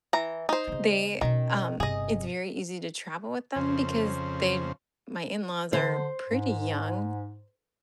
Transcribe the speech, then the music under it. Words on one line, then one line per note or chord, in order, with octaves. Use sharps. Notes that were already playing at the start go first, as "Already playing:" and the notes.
they um, it's very easy to travel with them because they my in-laws are pretty young.
E3 A#5
D#4 C5
C#3 B3
B2 D#3 C#4
G1 C3 G#4 D#5
F2 C#3 C5
D3 C5
G#2